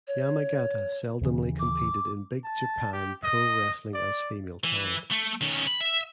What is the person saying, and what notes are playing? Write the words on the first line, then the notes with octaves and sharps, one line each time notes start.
Yamagata seldomly competed in Big Japan Pro Wrestling as female talent.
C#5
D#2 C#3 E3
D6
A5
G4
D#5
D5
E3
A3
D#3 C#4
B5
E5